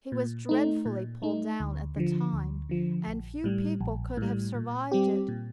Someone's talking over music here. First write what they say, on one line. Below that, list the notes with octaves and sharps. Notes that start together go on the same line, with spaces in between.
He was dreadfully pulled down at the time, and few people could have survived it.
A#2
A3 D#4
A#2
A3 D#4
D2
D3 F3
D2
D3 F3
A#1
A2 G3
A#1
A2 G3
A#2
G3 C4 G4
A#2